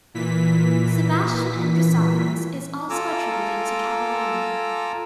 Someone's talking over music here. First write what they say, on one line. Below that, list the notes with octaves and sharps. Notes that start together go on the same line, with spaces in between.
Sebastian and Chrysogonos, is also attributed to Cavallini.
A#2 E3 B6
F4 A4 G#5 A#5 D6 E6